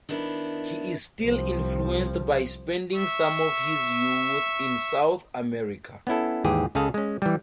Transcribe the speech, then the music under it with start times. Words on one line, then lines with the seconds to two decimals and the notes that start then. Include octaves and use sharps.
He is still influenced by spending some of his youth in South America.
0.09 D#3 B3 D4 E4
1.21 C2 F3
2.97 E5 C#6
6.07 B3 C#4 E4 A4
6.44 D#2 G#2 E3 G4 G#4
6.75 C#2 C#3 G#4 A4 F5
6.94 G#3 C#4
7.22 E3 G3